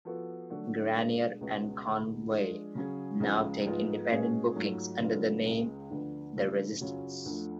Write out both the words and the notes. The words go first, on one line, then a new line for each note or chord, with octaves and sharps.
Grenier and Conway now take independent bookings, under the name "The Resistance".
F3 B3 F#4 A4
D3 F#3 A3 D4 F#4
B2 G#3 D4
C#2 B2 G#3 C#4 F#4
D2 D3 G#3
F3 G#3 D4 F4 G#4
C#3 F#3 C#4 G#4
C#2 C#3 F3 G#3
G#2 F3 G#3 B3 F4
B2 G#3 C#4 G#4
G#2 F#3 A3 F4
C#3 F#3 B3 D4 F4
C#2 C#3 G#3
D2 D3 F3 B3 D4
C#3 F3 A3 D4
F#2 C#3 F#3 C#4 F4
D2 D3 F3 A3